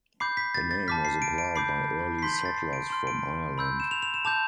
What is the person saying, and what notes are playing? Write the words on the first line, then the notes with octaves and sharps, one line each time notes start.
The name was applied by early settlers from Ireland.
B5 D6 G6 C7
B6
A6
A6
A5 D6 F6 B6
C7
D7
D7
B5 D6 G6 C7
C7
C6 G6 B6
B6
A6
C7
D7
C6 F6
D7
B5 E6 G6
E7
F7
F7
E7
A5 D6 G6 F7